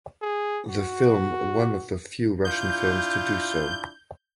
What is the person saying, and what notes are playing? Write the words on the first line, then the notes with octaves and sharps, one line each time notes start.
The film one of the few Russian films to do so.
G#4
F#4
D4 E4 F4 G6